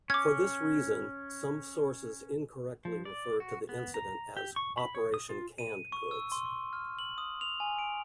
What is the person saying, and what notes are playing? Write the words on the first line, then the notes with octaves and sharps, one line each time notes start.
For this reason, some sources incorrectly refer to the incident as "Operation Canned Goods".
C#4 D6 G#6
F3
D5
F#4
B3
A#5
G4
C#6
B5
C#5
D#6
F4
D#7
C#6
E6
C6
C#6
F6
F#7
D#6
F7
G#5
D7